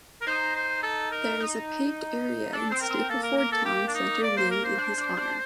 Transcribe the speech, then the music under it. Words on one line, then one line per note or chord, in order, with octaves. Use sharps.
There is a paved area in Stapleford town centre named in his honour.
A#4
D#4 C5
C5
A4
A#4
D#4
D4 A4
C4 C5
A#4
C4
A#3 A4
A#4
A#4
A4
G4
D4
D#4
D5
C5
A#4
C5
D4
D4
D4